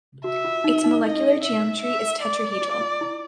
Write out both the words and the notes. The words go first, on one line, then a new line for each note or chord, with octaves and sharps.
Its molecular geometry is tetrahedral.
F#4 E5
F4
D#4
D#4
E4 D#5
E5
E5
D5
F4
F4
E4